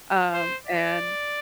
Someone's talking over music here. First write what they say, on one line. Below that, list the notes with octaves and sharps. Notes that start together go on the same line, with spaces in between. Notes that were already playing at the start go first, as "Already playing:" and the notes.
Um, and,
C5
D5